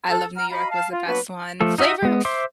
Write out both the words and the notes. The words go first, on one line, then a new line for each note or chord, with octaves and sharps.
I Love New York was the best one. Flavor Fl
A4
F#5 A#5 F6
F#4 D#5 F5 A#5 B5
F5 A5
F4
F#3 A#3 B3 D4 F#4 B4
F3 A3 A4
D#4 F#4 D#5 E5
G#3 B3
C5 E5 C6 D6